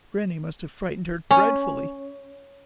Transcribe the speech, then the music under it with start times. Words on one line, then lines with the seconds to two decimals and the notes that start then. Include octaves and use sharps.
Grannie must have frightened her dreadfully.
1.31 C#4